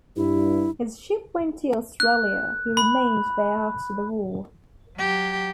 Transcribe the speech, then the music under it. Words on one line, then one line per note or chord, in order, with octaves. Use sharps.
His ship went to Australia; he remained there after the war.
G2 E4
F#6
B5
F#3 G4